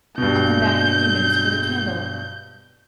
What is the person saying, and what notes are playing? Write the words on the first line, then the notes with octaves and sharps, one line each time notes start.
I'll come back in a few minutes for the candle.
G2 B2 G6